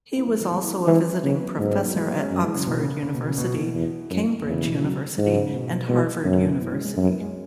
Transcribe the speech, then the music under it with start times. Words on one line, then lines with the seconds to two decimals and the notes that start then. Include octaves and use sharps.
He was also a visiting professor at Oxford University, Cambridge University and Harvard University.
0.16 B3 E4
0.28 F#3 B3
0.39 E3 G#3
0.52 E3 G#3
0.64 B3 E4
0.75 C#4 F#4
0.87 E3 G#3 C#4
1.23 C#3 F#3 B3
1.41 F#3 B3
1.59 G#2 F#3 B3
1.71 G#3 C#4
1.83 F#3 B3
1.95 E3 G#3
2.07 F#3 B3
2.19 G#3 C#4
2.30 F#2
2.42 E3 G#3
2.54 C#3 F#3
2.67 B2 E3
2.79 C#3
3.03 C#3
3.14 B2
3.26 C#3
3.38 B2
3.56 B2 E3
3.74 E2
4.10 F#2
4.46 E2 C#3
4.63 B2 E3
4.81 C#3 F#3
5.18 G#2
5.29 C#3
5.41 C#3
5.53 B2
5.71 B2
5.88 B2 E3 G#3
6.06 B2
6.24 F#2 B2
6.34 C#3
6.43 B2 E3
6.51 B3 E4
6.60 B2 E3
6.72 G#3 C#4
6.84 G#3 C#4
6.96 F#2 C#4 F#4
7.08 B3 E4
7.20 G#3 C#4